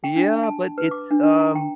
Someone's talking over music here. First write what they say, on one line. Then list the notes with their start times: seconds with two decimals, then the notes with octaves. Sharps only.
Yeah, but it's, um
0.04 G5
0.16 D4
0.43 A5
0.78 B4
0.91 D6
1.11 D4
1.23 D4
1.39 A#5
1.55 G5